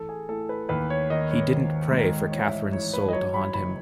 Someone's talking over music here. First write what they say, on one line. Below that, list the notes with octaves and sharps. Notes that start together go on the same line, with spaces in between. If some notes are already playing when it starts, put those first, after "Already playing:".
He didn’t pray for Catherine’s soul to haunt him.
Already playing: A1 A4
G#4
A2 A4
B4
D#2 B4
C#5
D#3 D#5
C#5
G#1
G#2
A1 C#5
E5
D#5
A1 C#5
B4
D#5
F#3 C#5
B5
F#1 B5